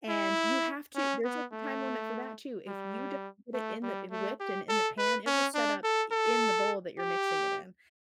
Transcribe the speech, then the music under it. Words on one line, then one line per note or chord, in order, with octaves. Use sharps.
and you have to there's, like, a time limit for that, too. If you don't get it in the w whipped and in the pan, it will set up i in the bowl that you're mixing it in.
E4
C#4
B3
A3
G3
A3
G3
A3
G4
A4
B4
C#4
D4
A4
A4
G4